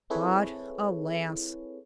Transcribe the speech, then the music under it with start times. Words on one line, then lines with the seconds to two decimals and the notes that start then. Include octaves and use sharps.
But alas!
0.10 C4 E4 G#4 A4 B4 C#5